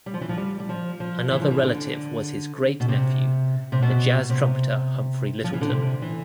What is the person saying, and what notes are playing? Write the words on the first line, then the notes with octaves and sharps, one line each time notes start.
Another relative was his great-nephew, the jazz trumpeter Humphrey Lyttelton.
G3
F3
E3
F3
G3
G3
F3
F3
E3
F3
E3
D3
B2
C3
C3
B2
C3
F3
E3
D3
C3
E3